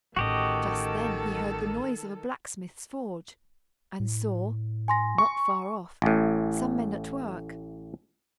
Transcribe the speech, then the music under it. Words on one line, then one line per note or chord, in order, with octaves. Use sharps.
Just then he heard the noise of a blacksmith's forge, and saw, not far off, some men at work.
A1 D#3 F#4 G4 A4 D#5
A2
G#5 C6 A#6
C#6
A1 A2